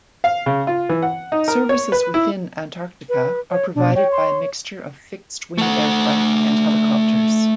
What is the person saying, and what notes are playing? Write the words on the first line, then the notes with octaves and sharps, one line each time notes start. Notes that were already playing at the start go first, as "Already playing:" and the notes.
Services within Antarctica are provided by a mixture of fixed-wing aircraft and helicopters.
F5
C#3
F4
E3
F#5
D#4
A#4
C#5
B4
E4
B4
C#5
B2 D4
C#5 G5
C6
A3 F#5